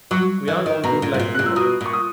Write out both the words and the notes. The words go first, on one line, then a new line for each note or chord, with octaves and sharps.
We aren't all good like you, mother.
F#3 C#6
E3
D#3
B2 A#5
A#2
G#2
A#2
A#2 F#6
E6
B2 D#6
A#2
C#6
D#6